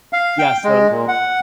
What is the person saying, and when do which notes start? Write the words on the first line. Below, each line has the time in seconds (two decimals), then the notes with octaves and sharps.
Yeah, so
0.13 F5
0.39 G5
0.64 G#3
0.91 A#2
1.08 F#5